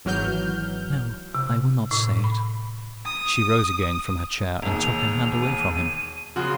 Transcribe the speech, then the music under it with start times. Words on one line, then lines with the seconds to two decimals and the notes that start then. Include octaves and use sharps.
"No--I will not say it." She rose again from her chair, and took her hand away from him.
0.05 G#1 E3 F#3 F6 G6
1.35 C3
1.91 A2
2.24 B5
3.05 D#6
4.62 E1 D#2 F7
5.42 D#7
6.36 C#3 F3 F#4 C6